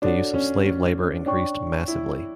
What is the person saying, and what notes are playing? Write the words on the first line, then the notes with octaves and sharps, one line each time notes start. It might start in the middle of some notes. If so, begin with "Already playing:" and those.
The use of slave labour increased massively.
D4 F#4 A4 C#5 F#5
C#4
C#4
D4 C#5 G5 C#6
E4